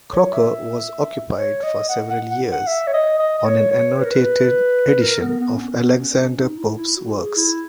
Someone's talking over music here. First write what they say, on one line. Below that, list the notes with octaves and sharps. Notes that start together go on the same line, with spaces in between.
Croker was occupied for several years on an annotated edition of Alexander Pope's works.
C#5
E5
C#5
D#5
F#5
F#5
F#5
F#5
E5
C#5
D#5
D#5
D#5
C#5
C#5
B4
A#4
B4
A#4
B3
B3
C#4
B3
B3
C#4
C#4
D#4
E4
E4
F#4
G#4
E4